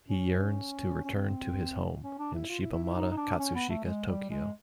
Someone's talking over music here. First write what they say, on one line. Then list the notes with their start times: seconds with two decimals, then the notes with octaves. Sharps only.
He yearns to return to his home in Shibamata, Katsushika, Tokyo.
0.08 C#4
1.04 C#4
1.14 C4
2.04 C#4
2.18 D4
2.34 E4
2.49 F4
2.61 E4
2.72 E4
2.83 E4
2.94 D#4
3.11 D#4
3.17 D4
3.39 C#4
3.55 B3
3.69 A3
3.84 G#3
4.07 G3
4.30 G#3